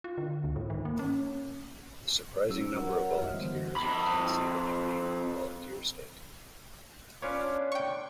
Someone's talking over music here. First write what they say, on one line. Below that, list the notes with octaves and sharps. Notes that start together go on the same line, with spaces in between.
The surprising number of volunteers earned Tennessee the nickname, Volunteer State.
F4
D3
C#2
G#2
D#3
A#3
C#4
F#3 C#4 E6
F#4 A#4 C#5 F#5
F#2 G#3 D#5 E5 F6
D3 E3 G3 B3 C5
F2 B5
C#4 F4 B4 C#5 D5 F5 D6
D4
G5 C#6